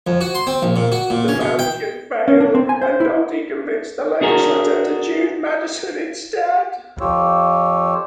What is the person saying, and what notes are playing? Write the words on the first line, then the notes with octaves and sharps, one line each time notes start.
The motion failed, and Doty convinced the legislature to choose Madison instead.
F2
F#4
C6
C4
A#1
A#2
F#4
A#2
C#4
B2
G5
C#4
D4
C4
G#5
C5
E4
D4 F#4 G#4 A#4
F2 F3 F4 G4 C#5 E6